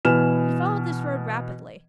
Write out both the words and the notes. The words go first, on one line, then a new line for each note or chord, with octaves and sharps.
He followed this road rapidly.
B2 E3 B4 G#5 F6 E7